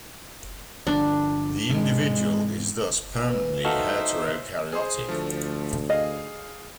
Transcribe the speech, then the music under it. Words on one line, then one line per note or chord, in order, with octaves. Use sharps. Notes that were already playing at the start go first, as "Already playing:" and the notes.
The individual is thus permanently heterokaryotic.
G1 D3 F3 D4
G#2 C3 E3 G#3
A2 C#3 E3
D#4 F#4 A4 C5 E5 F5
G#4 C5
D2 F3 A3
G#4 D#5 F5